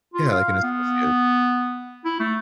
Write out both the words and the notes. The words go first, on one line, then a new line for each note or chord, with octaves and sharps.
Yeah. Like an associate.
F4
F5
B3
E4
A3